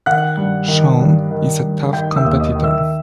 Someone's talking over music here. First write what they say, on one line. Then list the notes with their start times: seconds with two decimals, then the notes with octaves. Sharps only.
Shawn is a tough competitor.
0.06 D#3 F#5 F#6
0.37 G2
0.68 D#3
1.00 G2
1.31 D#3
1.63 G2
1.93 D#3 G5 G6
2.11 D#6
2.16 E5 E6
2.25 D#2
2.40 D#5 D#6
2.55 D#3
2.64 E5 E6